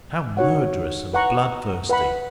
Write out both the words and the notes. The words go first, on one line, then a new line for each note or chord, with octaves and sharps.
"How murderous and bloodthirsty!"
D#4 F#4 C#5 F#5
B4 F#5 A#5 C#6
B4 F#5 B5